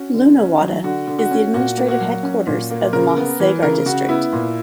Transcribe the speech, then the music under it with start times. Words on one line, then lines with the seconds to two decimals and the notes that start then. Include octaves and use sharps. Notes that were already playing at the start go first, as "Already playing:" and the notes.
Lunawada is the administrative headquarters of the Mahisagar district.
Already playing: C#4 F#4
0.14 D3
0.37 C#4
0.61 F#3
0.84 D3 F#4
1.08 D3
1.19 F#4
1.31 C#4
1.54 A#2 F#4
1.77 A#3
1.88 F#4
2.01 F#3
2.23 C#4
2.47 A#2
2.70 A#3
2.93 C#3 A#4
3.17 B3
3.40 E3
3.63 C#3 A#4
3.86 C#3 F#4
4.09 B3 E4
4.33 A#2